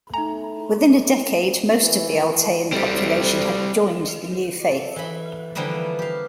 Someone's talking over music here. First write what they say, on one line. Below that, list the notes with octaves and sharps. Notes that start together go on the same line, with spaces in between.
Within a decade, most of the Altaian population had joined the new faith.
A3 D#4 G#5 A#5
E3
D2 G3 C4
A4
E3 B5
D3 E3 F3 G3 A#3 B3
G4 F5